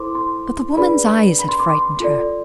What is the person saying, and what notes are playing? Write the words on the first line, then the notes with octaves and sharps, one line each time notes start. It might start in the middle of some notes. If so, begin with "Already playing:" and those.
But the woman's eyes had frightened her.
Already playing: E4 A4 C5 C6 D6
C6
D4 G#4 B4 D5 B5
B5
C6
D6
C6
F4 A4 D5